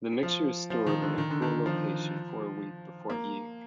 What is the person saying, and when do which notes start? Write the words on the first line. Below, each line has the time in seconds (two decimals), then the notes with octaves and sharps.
The mixture is stored in a cool location for a week before eating.
0.23 F3
0.70 F3
0.86 D#3
1.02 D3
1.18 D#3
1.31 D3
1.42 D#3
1.66 F3
3.10 A#3